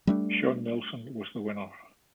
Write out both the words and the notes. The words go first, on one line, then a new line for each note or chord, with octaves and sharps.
Shawn Nelson was the winner.
G3 A3 D4